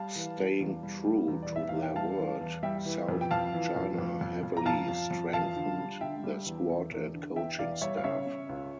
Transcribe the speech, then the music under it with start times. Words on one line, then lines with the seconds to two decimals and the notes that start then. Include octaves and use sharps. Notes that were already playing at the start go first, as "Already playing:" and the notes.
Staying true to their word, South China heavily strengthened their squad and coaching staff.
Already playing: G3 F5 A5
0.16 E3
0.38 G3
0.60 E2
0.83 G3
1.05 G3
1.28 E2
1.43 D5
1.51 E3 E5
1.69 E2 F5
1.82 G5
1.96 G3 F5 A5
2.18 E3
2.41 E2
2.63 G3 E5 G5
2.86 E3
3.09 F2
3.21 G5
3.31 F2 F5 A5
3.53 E3
3.76 F2
3.98 F2
4.21 F2
4.43 F2
4.57 A#5
4.66 F2 F5 A5
4.89 F2
5.11 F2
5.33 E2 F5 A5
5.56 D3
5.78 G3
6.01 D3 E5 G5
6.24 G3
6.46 E2
6.69 E2
6.92 E2
7.14 D3
7.36 E2 E5 G5
7.59 E2 D5 F5
7.81 G3 C#5 E5
7.97 F5
8.04 C#3 C#5 E5
8.27 C#3
8.49 C#2